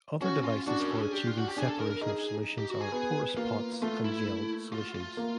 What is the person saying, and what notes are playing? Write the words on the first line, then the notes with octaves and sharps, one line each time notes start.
Other devices for achieving separation of solutions are porous pots and gelled solutions.
C#4 F#4
F4
D4 F#4
A#4
A4
G#4
G4
F4
F#4
G4
D4 G#4
A4
A#4
A#4
D#4 G#4
G4
F#4
G#4
B3
A#3 F4
A3 F4
E4
F4
F4
A#3